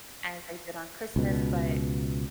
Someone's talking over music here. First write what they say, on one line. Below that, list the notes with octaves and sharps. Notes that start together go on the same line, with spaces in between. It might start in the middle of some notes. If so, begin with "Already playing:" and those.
as they did on Christmas, but
C#2 B2